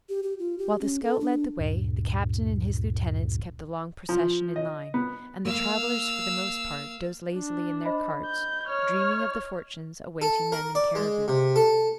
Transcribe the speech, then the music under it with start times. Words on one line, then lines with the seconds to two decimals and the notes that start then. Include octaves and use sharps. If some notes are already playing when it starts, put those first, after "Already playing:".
While the scout led the way, the captain and his lieutenants kept the long procession in line; and the travellers for the most part dozed lazily in their carts, dreaming of the fortunes awaiting them in Cariboo.
0.09 G4
0.23 G4
0.39 F4
0.58 G4
0.81 C#4
1.02 A4
1.20 D4
1.59 D2 G2 A#2
4.09 F3
4.56 D#5
4.94 B3
5.45 A#3 F5 E6
7.35 D4
7.85 C5 D#5 B5
8.26 G6
8.67 C#5 F6
10.22 A4
10.52 A#4
10.75 D5
10.95 G#3
11.28 C3
11.56 A4